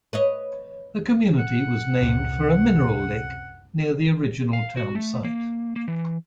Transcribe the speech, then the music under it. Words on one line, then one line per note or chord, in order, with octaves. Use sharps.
The community was named for a mineral lick near the original town site.
B4 C#5 D#5
F#5
C#2 F#2 C3
F5
F#4
A3
A#3
A#3
E3